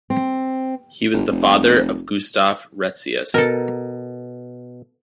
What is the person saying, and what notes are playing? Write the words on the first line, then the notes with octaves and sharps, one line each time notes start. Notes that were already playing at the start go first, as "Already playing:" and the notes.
He was the father of Gustaf Retzius.
C4
G1
F1
B2 A4 A#4